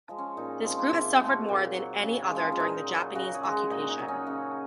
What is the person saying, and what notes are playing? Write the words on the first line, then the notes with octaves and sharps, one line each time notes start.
This group has suffered more than any other during the Japanese occupation.
F3 G#3
C#4
A#2 D#4
F3 G#3 C4
A#3
C3 C4
F4
F3 G#3
F#4
A#2
F#3
C#3
F3 G#3
F4
A#2 D#4
F#3
C#3 F#4
G#4
G#3 F#4
G#4
A#2 D#4
D#4
F#3
C#4
C#3